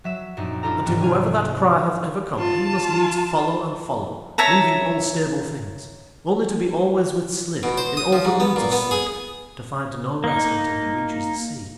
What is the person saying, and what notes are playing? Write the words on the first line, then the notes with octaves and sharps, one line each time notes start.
And to whoever that cry hath ever come he must needs follow and follow, leaving all stable things; only to be always with Slid in all the moods of Slid, to find no rest until he reaches the sea.
F#3 E5 E7
F#2 A#2 C4 D4 D#4
D4 E4 F4 G4 A4 A#5
G#2 C3 E3 B3
C2 F5 G#5
F4 A5
C#5 E5 A5 A#5
B2
C5
D#6
F3
G#2
B3
A#2
B3
G#4
A#3 D#4